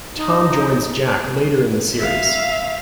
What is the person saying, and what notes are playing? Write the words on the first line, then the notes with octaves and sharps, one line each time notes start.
Tom joins Jack later in the series.
D#4
E5 F5